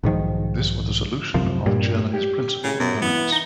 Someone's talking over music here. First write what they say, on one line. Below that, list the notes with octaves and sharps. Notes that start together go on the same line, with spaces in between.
This was the solution of Germany's principal opponents.
B1 G#2 D#3 F3
C2 F#2 C3 F3
G2 A#2 G3
G4
C#3
F#2 B2
E3 B3
D#4